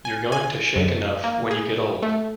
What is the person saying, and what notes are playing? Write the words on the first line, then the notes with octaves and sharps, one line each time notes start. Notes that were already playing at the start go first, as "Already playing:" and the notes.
You're going to shake enough when you get old.
G#5
G#5
F#2
A#3
G#4
A3